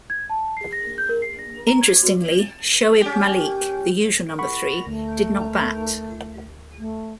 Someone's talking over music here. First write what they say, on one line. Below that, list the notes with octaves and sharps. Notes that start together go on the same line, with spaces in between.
Interestingly, Shoaib Malik - the usual number three - did not bat.
G#6
A5
C7
A#6
G6
A#4
C7
A#6
A#5
G#6
F#4
C#4 G4
F#5 B5 C#6
D2 A3
A3